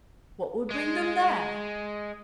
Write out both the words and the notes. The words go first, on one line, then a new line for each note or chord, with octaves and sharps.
"What would bring them there?"
G#3